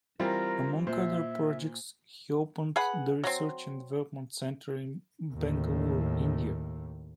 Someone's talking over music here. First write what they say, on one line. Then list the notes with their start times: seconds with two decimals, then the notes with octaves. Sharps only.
Among other projects, he opened the Research and Development center at Bengaluru, India.
0.20 E3 G3 C4 F4 A#4
0.87 A#2 C5 E5
2.76 G#4 B4 F#5
3.24 F#3 C4
5.34 D#2 A2